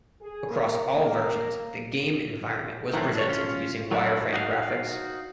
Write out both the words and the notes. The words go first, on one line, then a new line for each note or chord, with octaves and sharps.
Across all versions, the game environment was presented using wire frame graphics.
G#4
A#3
A#3
D#3 E3 F#3 A3 C4
D4 C#5
C#4 F4
F#3 A3 A#3 D4 E4
D#4 F#4 G#4 F5